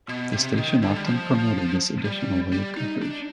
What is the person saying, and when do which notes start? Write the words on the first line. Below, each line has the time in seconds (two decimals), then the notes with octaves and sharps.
The station often promoted this additional way of coverage.
0.09 B2
0.33 C3
0.57 D#3
0.82 D3
0.96 G3
1.07 F3
2.04 G3
2.52 G3
2.77 D#4
3.02 D4